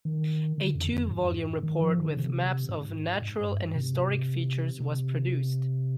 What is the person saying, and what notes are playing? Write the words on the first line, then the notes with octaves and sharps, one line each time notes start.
A two-volume report with maps of natural and historic features was produced.
D#3
D3
F2
F2
G#2
D#3
F3
D#3
D3
C3
G#2
G#2
G2
G#2
C3
C3